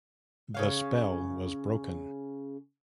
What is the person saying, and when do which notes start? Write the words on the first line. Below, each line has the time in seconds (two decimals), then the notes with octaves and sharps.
The spell was broken.
0.54 C#3 C#4 F5